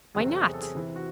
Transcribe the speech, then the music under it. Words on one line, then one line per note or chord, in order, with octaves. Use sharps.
"Why not?"
E2 C3 F#3 C4 G#4
A4
G#4
A4
G#4
C3 E3 C4
F#4